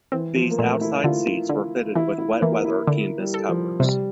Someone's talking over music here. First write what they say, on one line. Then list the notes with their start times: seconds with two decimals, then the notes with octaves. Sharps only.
These outside seats were fitted with wet-weather canvas covers.
0.12 E3 C4
0.36 F3
0.51 A#3
0.58 A#2 A3
0.81 E4
1.04 D3 F4
1.49 D3
1.95 E3 E4
2.18 E4
2.41 E3 A#3
2.64 E4
2.87 D3
3.18 G3
3.34 A4
3.49 F3
3.80 C3 G3